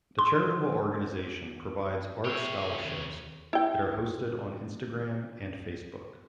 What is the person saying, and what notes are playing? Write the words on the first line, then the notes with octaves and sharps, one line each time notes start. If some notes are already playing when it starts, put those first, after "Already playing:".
The charitable organization provides art scholarships that are hosted on Instagram and Facebook.
C6
C3 G#4 C#5 E5 G5
D#2
E4 G5